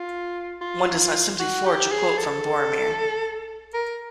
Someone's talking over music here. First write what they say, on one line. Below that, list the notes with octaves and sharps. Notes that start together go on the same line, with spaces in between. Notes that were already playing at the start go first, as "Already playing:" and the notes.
One does not simply forge a quote from Boromir.
Already playing: F4
F4
F#4
G4
G#4
A4
A#4